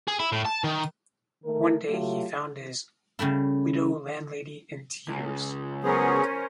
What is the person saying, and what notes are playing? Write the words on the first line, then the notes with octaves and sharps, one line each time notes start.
One day he found his widow-landlady in tears.
G#4
E4
A2
A5
D#3
D#3 A3 A#4
F#3 A3 F4 G4
C#3 G3 A3 E4
C#2
F#3 B3 C#4 G#4 A#4 C5